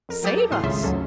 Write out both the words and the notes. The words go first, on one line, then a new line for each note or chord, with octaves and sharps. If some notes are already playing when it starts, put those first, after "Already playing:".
Save us!
F2 A#4
F2 F#3 G4 D#6 G6 A6
A4
A2 C6 D#6
G#1 C#2 C#3 F4 E5 C6
D2 G#2 F#3 C#4 A4